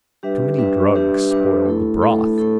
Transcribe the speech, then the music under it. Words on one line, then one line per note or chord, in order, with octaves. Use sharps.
Too many drugs spoil the broth.
G3 D4 G4 B4 E5
G3 D4 G4 B4 E5
G3 D4 G4 B4 E5
G3 D4 G4 B4 E5
A3 E4 A4
A3 E4 A4
A3 E4 A4